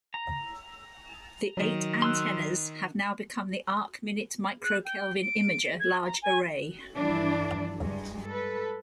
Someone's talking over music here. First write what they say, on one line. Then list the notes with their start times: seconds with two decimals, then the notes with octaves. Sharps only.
The eight antennas have now become the Arcminute Microkelvin Imager Large Array.
0.14 A#5
1.57 D#3 F#3
2.02 C6 E6 F#6
4.63 F#6
4.85 G5
5.22 D7
5.79 G#6
6.04 A#5
6.22 G#5
6.96 G2 E3 F3 D4 E4
7.78 G2 G#3
8.27 A4 B4